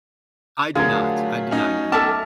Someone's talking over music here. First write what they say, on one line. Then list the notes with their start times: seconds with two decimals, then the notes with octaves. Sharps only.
I do not. I do not yet,
0.76 D3 F#3 A3 F4 G#4 A#4
1.51 C#4 D#4
1.92 A4 E5 A5 D6 F6